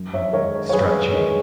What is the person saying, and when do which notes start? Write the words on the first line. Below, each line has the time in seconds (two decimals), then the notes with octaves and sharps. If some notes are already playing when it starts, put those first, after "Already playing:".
um, stretching.
Already playing: F#2
0.14 C#5 E5
0.33 D#3 G#3 A#4 C#5
0.69 C#5
0.73 F#2 G#4 B4
1.13 D#3 G#3